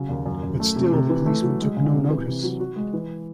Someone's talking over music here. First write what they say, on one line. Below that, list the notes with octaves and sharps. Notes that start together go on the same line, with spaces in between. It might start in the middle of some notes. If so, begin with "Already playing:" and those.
But still the policeman took no notice.
Already playing: C#3 F#3
D#2
F#2
F#2
A3
C3
C3
E3
A3
F#3
G#3
C#3
C3
E3
C3
F#3
F#4
G#3
E3